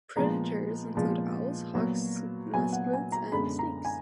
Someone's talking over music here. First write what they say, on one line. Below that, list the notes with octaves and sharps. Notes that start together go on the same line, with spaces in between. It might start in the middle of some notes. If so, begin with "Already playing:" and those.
Predators include owls, hawks, mustelids, and snakes.
A#2 F3 G#3 B3 A#5
A#2 F3 G#3 B3
A#2 F#3 B3
A#2 F#3 B3 G#5
F#5
G#5
A#5
F#2 D3 G#3 B3 B5
A#5
G#5